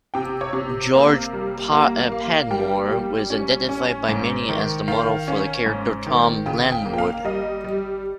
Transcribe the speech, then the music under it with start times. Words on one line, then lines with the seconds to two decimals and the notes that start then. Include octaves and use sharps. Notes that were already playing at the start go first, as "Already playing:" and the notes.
George Padmore was identified by many as the model for the character "Tom Lanwood".
0.14 C3 G5
0.41 C#5
0.53 C3
0.94 A#3
1.33 G3
1.72 A#3
2.12 A#3
2.50 G3 G5
2.90 G3
3.30 C#4
3.69 C#4
4.09 G#2
4.49 D#3
4.88 D#3 F5
5.28 C#4
5.66 G#2
6.07 D#3
6.46 C#3 G5
6.72 G5
6.85 A#3
6.94 G5
6.98 F5
7.24 G3 D#5
7.64 G3